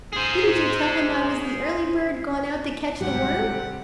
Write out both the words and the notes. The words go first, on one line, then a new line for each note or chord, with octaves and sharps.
"Didn't you tell him I was the early bird gone out to catch the worm?"
G#4 C5
G#1 G#2 C3 F#3 G3 G4 F#5